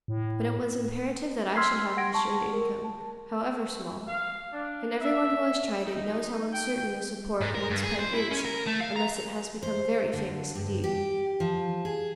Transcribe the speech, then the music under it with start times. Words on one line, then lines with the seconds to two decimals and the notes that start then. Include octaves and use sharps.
But it was imperative that I should have an assured income, however small; and every one who has tried it knows how uncertain a support one's pen is, unless it has become very famous indeed.
0.08 A2
1.56 C6 E6 F6 G#6 B6 C7
1.97 F#5 G5 C6 G#6 A#6 D7
2.14 A5 C#6
2.53 A#4
2.84 A5
4.06 F5
4.51 D4
4.99 E5
5.82 D#4
6.52 G5
7.41 G#2
7.55 A#4
7.70 G2
7.84 G#4
7.99 C5
8.14 E4
8.31 C#4
8.45 A#4
8.66 A3
8.80 F5
8.96 A#5
9.63 C5
10.13 D3
10.55 G2
10.84 G4
11.40 F3
11.85 G#4